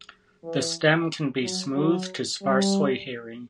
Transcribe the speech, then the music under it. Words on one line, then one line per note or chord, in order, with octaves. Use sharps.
The stem can be smooth to sparsely hairy.
E3
F#3
F#3
G3